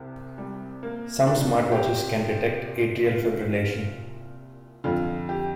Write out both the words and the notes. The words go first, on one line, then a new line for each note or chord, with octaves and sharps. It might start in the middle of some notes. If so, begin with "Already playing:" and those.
Some smartwatches can detect atrial fibrillation.
Already playing: C2 C3
G3
A#3
C2 A#2 D4
G4
C2 A#2 F4
F2 D3 F4
G4